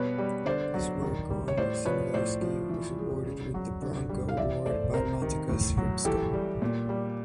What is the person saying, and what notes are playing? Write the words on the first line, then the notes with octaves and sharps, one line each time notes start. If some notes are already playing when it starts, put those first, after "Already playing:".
His work on Crnjanski was awarded with the Branko Award by Matica Srpska.
Already playing: B2 G3 B4 C#5
G3
D3 C5 D5
F#3
D#3
G3
C#5
A2 C5 D5
F3 B4 C#5
A2 C5 D5
F3
E3
G#3
C#3
F#3
D3
G3
F5
E3 D5 E5
A3 C5 D5
C3 A#4 C5
D#3
A2
F#3
E3 G4 A4
G3
A#2
G3